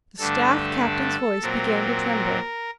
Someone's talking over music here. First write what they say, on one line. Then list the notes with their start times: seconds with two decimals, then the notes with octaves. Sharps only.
The staff captain's voice began to tremble.
0.19 G2 D3 A3 D4 A4
1.41 A#2 F#3 C4 A#4